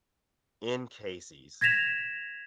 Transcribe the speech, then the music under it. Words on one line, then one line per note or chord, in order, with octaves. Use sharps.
in Casey's,
G#6 A#6 B6 E7 F7